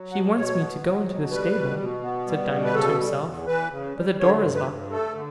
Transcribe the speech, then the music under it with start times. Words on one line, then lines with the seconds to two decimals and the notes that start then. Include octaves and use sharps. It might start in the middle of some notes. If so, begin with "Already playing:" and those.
"She wants me to go into the stable," said Diamond to himself, "but the door is locked."
Already playing: F#3
0.11 B2 F#5
0.35 B2 C#5
0.59 B3
0.83 F#3
1.07 B2
1.30 G3 B4
1.55 B2
1.79 B2
2.02 B3
2.26 G3
2.51 B2
2.65 B4
2.75 C#3 A4
2.99 G3
3.23 E2
3.46 E3 B4
3.71 C#3
3.95 G3
4.19 D3 C#5
4.43 G2
4.55 B4
4.67 G2
4.91 A3 A4
5.14 D3